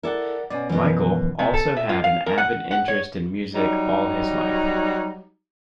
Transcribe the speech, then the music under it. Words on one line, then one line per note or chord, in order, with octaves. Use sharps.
Mykle also had an avid interest in music all his life.
E4 A4 A#4 D5 F#5
B2 C#4 D5
F#2 B2 E3 F3
C3
A4
E5
F4
F5
A#4
F#5
F#5
C#5
F#3 G3 D#4